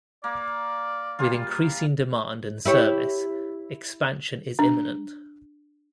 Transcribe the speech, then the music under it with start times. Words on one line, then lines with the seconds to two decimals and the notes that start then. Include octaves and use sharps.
With increasing demand and service, expansion is imminent.
0.24 A#3 D5
1.19 A#2 G3 F4
2.65 E4 G4 C#5
4.59 D4